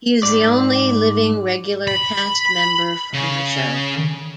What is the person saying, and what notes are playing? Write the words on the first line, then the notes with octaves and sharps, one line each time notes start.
He is the only living regular cast member from the show.
G#2 D5
B5
C#3